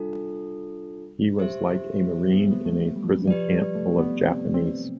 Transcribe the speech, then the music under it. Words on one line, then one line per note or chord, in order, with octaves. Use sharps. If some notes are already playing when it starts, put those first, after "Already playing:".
He was like a marine in a prison camp full of Japanese.
Already playing: G3 D4 F4 A4
G4 C5 E5
B3
A3
B3
A3
G3
F3
G3
E3
F3 G4 B4 D5
G3
A3
B3
C4
C4